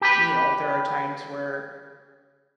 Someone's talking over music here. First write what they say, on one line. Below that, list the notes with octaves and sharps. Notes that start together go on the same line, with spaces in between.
you know, there are times where,
G4 B4